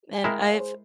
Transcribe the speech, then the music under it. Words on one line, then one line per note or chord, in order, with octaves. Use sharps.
and I've
G#5
G#3 E4 A#4 G5 A#5
F5 G#5
C#5
G#4 C5